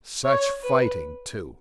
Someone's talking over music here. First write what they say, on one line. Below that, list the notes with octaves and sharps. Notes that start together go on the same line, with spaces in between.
Such fighting, too!...
C#5
B4